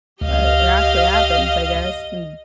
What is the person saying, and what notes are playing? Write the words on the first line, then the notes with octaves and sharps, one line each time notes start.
But it actually happens, I guess, n
C#2 G4 D#5 F5 F6